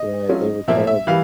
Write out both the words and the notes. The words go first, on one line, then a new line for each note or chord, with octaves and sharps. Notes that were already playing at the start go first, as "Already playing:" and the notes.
Right. They were terrible.
Already playing: D#5
F#3 A3 C#4 F4
A#2 F3 A#3 E5
E5
E3 G3 F5